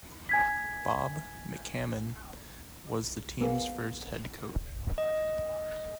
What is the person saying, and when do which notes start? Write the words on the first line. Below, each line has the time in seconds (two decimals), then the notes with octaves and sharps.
Bob McCammon was the team's first head coach.
0.29 G#5 G#6 B6
3.41 A#3 B3 G#4
4.98 D#5